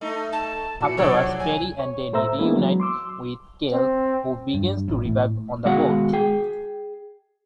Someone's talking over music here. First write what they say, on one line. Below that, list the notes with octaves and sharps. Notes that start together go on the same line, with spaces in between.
Afterwards, Terri and Danny reunite with Cale, who begins to revive on the boat.
A3 D#4
A5
A#2 E3 F#4 C#7
C3 F3 F#3 G#3 D4 C#5
D2 G#5
C#5
A2 A4 C5 E5 A#5 E6
E3 G#3 A#3 B3 D4 E4
F#3
C6 D6 E6
C4
G2
A1
A2
D#2 B2 G#3 F#4 F5 F#5
G#4 G5